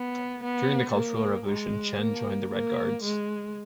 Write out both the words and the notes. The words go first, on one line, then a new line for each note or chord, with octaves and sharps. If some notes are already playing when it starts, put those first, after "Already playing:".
During the Cultural Revolution, Chen joined the Red Guards.
Already playing: B3
B3
A#3
G#3
A#3
A#3
G#3